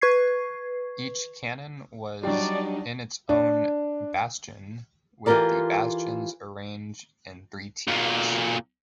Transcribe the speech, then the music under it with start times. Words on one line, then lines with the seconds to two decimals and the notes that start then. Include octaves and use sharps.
Each cannon was in its own bastion, with the bastions arranged in three tiers.
0.01 B4 C#6 G#6 C7
2.23 F#3 G3 D4 D#4 G4 D5 G5
3.29 D4
5.26 E3 F4 G4 A4 A#4 D5
7.88 B1 A#2